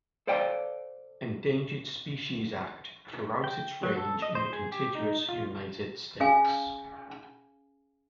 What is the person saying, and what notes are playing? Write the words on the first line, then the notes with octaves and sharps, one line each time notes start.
Endangered Species Act throughout its range in the contiguous United States.
A4 C5 D5 F5 G5
G5
F#3
A4
D#5
C5
G#4
G4
D#4
F4
C#4 G#4 F5 G#5